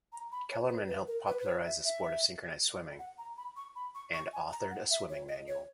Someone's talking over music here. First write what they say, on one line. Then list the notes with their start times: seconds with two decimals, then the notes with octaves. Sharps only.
Kellermann helped popularize the sport of synchronised swimming; and authored a swimming manual.
0.13 A#5
0.32 B5
0.50 C#5
0.70 B4
0.88 B4
1.07 A#4
1.27 B4
1.40 B4
1.46 C#5
1.65 E5
1.84 E5
2.99 F#5
3.18 A#5
3.37 B5
3.56 C#6
3.76 B5
3.95 C#6
4.14 C#6
4.33 G#5
4.52 A#5
4.71 F#5
4.91 E5
5.09 C#5
5.29 D#5
5.48 C#5